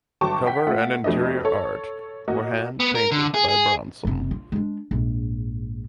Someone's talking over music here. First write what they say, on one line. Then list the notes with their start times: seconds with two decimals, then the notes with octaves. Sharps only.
The cover and interior art were hand painted by Bronson.
0.21 G1 F#3 G5 A5 C#6 D6
0.46 F#5 G5 B6
0.67 A3 F4 F#5
1.04 F2 B2 A3 D4 D#5
1.45 A4 C#5
2.28 A#3 F#4 D#5
2.80 B3
2.95 A#4
3.11 D3
3.34 G#4
3.49 G#4
4.05 F#1 C3
4.31 F4
4.52 G#3 D4
4.91 A#1 G#2